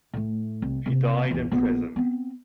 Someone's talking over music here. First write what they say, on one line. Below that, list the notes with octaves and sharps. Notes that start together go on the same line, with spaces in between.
He died in prison.
A2 A3
C2
C3 C4
A#1 E2
A#1 B3
B3 C4